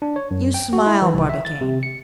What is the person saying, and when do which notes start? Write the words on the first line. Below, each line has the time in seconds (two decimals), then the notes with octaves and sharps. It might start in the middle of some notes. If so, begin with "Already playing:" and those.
You smile, Barbicane.
0.02 D4
0.16 C#5
0.31 F#2
0.54 G5
0.73 F#4
0.87 E4
1.02 E3
1.14 C2
1.29 E5
1.45 A6
1.61 C3
1.83 C#7